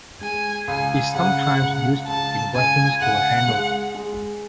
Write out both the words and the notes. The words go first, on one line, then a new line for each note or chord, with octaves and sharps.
It's sometimes used in reference to a hangover.
G#3 G#5
C#2 G#5
C#3 F#5
C#2
C#2 A5
C#2 G#5
C#2 F#5
G#3
G#3